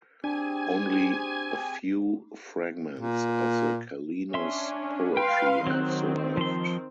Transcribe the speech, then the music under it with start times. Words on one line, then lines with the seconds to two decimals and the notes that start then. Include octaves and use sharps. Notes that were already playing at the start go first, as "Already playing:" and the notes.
Only a few fragments of the Callinus' poetry have survived.
0.24 C4 D4 G4 G#4 G#5
3.00 A#2
4.34 C#4 D4 E5 C6
5.17 B4 F5 G5 C6
5.67 D#3 F#3 C4 F#6
6.37 F3 C6